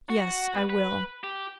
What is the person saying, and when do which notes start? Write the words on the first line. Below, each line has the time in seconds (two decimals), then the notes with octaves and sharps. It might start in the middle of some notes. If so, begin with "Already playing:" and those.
"Yes, I will."
0.10 F#4
0.55 B4
0.70 B4
1.24 G4